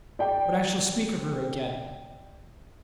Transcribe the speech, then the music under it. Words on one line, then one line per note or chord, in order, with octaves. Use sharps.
But I shall speak of her again.
D5 G5